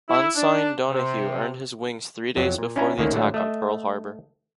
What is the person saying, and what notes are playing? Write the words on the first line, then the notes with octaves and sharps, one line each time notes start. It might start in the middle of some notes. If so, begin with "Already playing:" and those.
Ensign Donahue earned his wings three days before the attack on Pearl Harbor.
E4
D4
C3
F2 F#3
A#2
C#4 D4 E4 G#5 A#5
D2 D3 D#3 A#3 C#4
A2 D3 F#3 A3
A3 D#5 E5